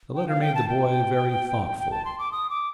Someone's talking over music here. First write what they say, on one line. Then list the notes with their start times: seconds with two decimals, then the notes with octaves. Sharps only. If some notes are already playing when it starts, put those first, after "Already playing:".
The letter made the boy very thoughtful.
0.14 G5
0.28 F5
0.41 G5
0.55 A5
0.69 G5
1.78 G5
1.91 A5
2.05 C6
2.18 D6
2.32 D#6
2.50 D6